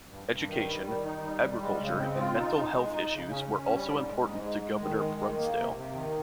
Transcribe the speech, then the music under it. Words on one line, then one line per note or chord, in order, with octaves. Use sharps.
Education, agriculture, and mental health issues were also important to Governor Brunsdale.
G2
G2
D#3
G3
D#3
D#4
G3
G3
G#3
C#3
C4
F4
D#4
D#4
G#3
D#4
C#3
C#4
C#4
G3
G#2
G#3
G#2
G#3
G#3
D#3
G#3
D#3
A#3
C3
C3
D#3